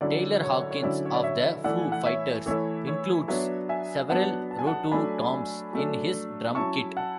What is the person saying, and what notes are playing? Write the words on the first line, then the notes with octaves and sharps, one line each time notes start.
Taylor Hawkins of the Foo Fighters includes several rototoms in his drum kit.
D3 F#3 C#4 E4 D5
C#5
C#5
D3 F#3 C#4 E4 D5
C#5
D5
C#5 E5
E3 A3 E4 D5 F#5
G#5
F#5
C#5 E5
E3 A3 E4 C#5
C#5
F#3 B3 D4 C#5 E5
E5 G#5
F#3 B3 D4 F#5 A5
A5
G#5
F#5 A5
F#3 A3 D4 G#5 B5
F#3 A3 D4
F#3 C#4 E4 A5 C#6
F#5 A5